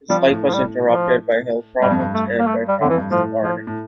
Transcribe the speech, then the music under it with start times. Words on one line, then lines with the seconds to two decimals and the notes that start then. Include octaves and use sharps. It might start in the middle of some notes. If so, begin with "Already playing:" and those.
His life was interrupted by health problems, and by travels to art exhibitions.
0.10 F3 G3
0.31 A2
0.48 F3
0.53 G3
0.85 F3
1.82 G2 G3
1.91 F2
1.99 G2
2.14 A3
2.39 A#3
2.47 A3
2.68 G3
2.81 F2 D3
2.89 E3
2.98 G2
3.11 A2 F3
3.44 F3
3.67 A2